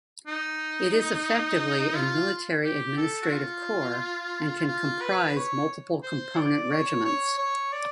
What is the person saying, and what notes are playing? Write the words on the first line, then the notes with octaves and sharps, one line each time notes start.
It is effectively a military administrative corps, and can comprise multiple component regiments.
D#4
F4
G4
A4
F#4
F4
F4
B4
C#5
C5
D5
C#5
C#5
C#5
D5